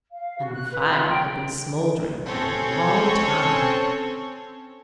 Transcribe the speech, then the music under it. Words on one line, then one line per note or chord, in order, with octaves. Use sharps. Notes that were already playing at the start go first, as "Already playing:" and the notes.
And the fire had been smouldering for a long time.
F5
F#4
F#6
B4
F4
G5
C4 C#4 A4 C#5